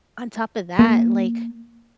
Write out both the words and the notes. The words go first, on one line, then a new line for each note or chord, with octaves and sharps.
On top of that, like,
A#3